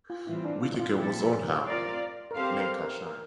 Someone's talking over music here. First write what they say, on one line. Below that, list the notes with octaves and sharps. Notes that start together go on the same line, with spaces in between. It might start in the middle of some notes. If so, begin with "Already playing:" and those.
Whittaker was Oldham, Lancashire.
F4
A2 E3 G3 C4 E4 F4
D4
F4
F4
A#2 F3 C4 E4 G4 A4
C4 F4 A#4 D5 F5
A#4
C4 G4 A4 C5 F5
A#4
A#4
A#4